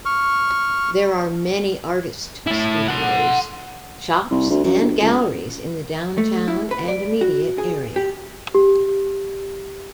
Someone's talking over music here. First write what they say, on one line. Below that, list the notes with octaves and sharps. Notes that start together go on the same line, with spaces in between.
There are many artist studios, shops and galleries in the downtown and immediate area.
C#6 F6
A3 E4
F#5 C6
C2
D2
F#2
G1
C#2
A3
E4
B4
D5
F#4
G#4
G4
G4